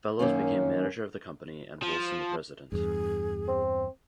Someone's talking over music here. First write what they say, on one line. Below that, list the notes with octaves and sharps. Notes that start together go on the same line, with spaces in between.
Fellows became manager of the company and Woolson the president.
F#2 D#3 A#3 C#4
F3
E2 G2 G#4
C4